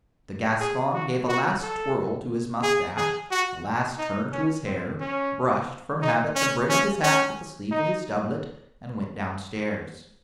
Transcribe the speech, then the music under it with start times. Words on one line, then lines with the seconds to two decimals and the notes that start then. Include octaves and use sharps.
The Gascon gave a last twirl to his mustache, a last turn to his hair, brushed, from habit, the brim of his hat with the sleeve of his doublet, and went downstairs.
0.60 G#4
0.94 F#4
1.28 F#4
1.62 A4
2.63 G#4
2.97 G#4
3.31 F#4
3.98 D#4
4.32 C#4
4.66 C4
5.00 C#4
6.02 D#4
6.35 C#4
6.69 C#4
7.03 C#4
7.71 D#4